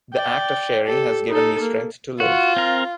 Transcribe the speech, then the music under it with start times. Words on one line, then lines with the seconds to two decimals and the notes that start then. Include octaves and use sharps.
The act of sharing has given me strength to live.
0.13 D5 G5
0.86 G4 A4
1.29 D#4 A4
1.60 A#3
2.20 F4 F#4
2.57 C4 A#4